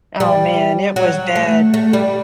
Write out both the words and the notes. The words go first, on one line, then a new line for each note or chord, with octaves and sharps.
Oh, man, it was bad.
G3
F#3
A3
A3
G3